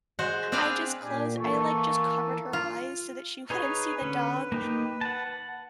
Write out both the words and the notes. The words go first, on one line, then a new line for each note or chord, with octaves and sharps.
I just closed I, like, just covered her eyes, so that she wouldn't see the dog,
G#3 F#4 C5
C4 D4 G#4 B4 D5 F5
A#2 D4 G4 G#5
E3 A#3 A4 C#6
F4
D#4 G#4 B4 C#5
D3 C#4
A#3 D#4 G4
F#5 A5